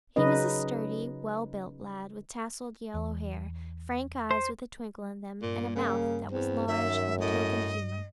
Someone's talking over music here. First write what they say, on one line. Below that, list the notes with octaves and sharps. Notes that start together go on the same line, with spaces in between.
He was a sturdy, well-built lad, with tousled yellow hair, frank eyes with a twinkle in them, and a mouth that was large and betokened humor.
C#3 F#3 C#4 D#4 B4 D#5
E2
C5
G2 A#2
C#3 A#3
E2 C4
F#2 D#3 E5
A2 D#5